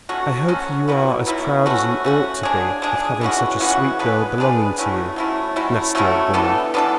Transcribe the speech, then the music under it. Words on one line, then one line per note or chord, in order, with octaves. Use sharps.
"I hope you are as proud as you ought to be of having such a sweet girl belonging to you." Nasty old woman!
F#3 A3 C#4 F#4
F#3 A3 C#4 F#4
B2 F#3 B3 E4
B2 F#3 B3 E4
A3 C#4 F#4
A3 C#4 F#4
G#3 D4 G#4
G#3 D4 G#4
E3 G#3 C#4 F#4
E3 G#3 C#4 F#4
G#3 D4 G#4 B4
G#3 D4 G#4 B4
F#3 A3 C#4 E4
F#3 A3 C#4 E4
F#3 A3 C#4 E4
F#3 A3 C#4 E4
E3 B3 D4 A4
E3 B3 D4 A4